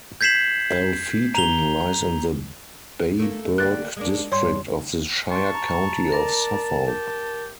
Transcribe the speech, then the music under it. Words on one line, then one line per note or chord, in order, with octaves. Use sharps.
Alpheton lies in the Babergh district of the shire county of Suffolk.
G6 G#6 B6 C7 E7 F#7
A#5 F7 G7
A3 A#3
D3 A#3 G4 F#6 A6
G#3 A#3 D4
G2 C#5 C6
A5 C6 C#6
A#5
A#4 D5
G4